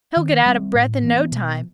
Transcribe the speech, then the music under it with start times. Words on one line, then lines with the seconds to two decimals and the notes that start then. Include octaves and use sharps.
He'll get out of breath in no time.
0.17 D#3
0.46 G3 C4
0.74 A2
1.03 E3 B3
1.32 B2